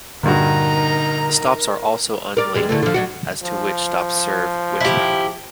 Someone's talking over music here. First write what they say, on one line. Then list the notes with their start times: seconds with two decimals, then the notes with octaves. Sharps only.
The stops are also unlabelled as to which stop serves which route.
0.23 A#1 G2 D3 D#4 F#4 A#4 A#5
2.37 A#4 D5
2.55 E2 G3 G#3
2.69 D3 E3 A3
2.83 D3 F3
2.94 F#3 D4 F#4
3.43 F3
4.81 E4 G4